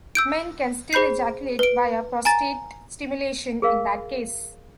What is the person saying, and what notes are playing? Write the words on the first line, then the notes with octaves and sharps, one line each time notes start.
Men can still ejaculate via prostate stimulation in that case.
E6 G6 D7
G#4 C5 B5 G6 C7
B4 D7
G#5 A#5 A6
G#4 A#4 F5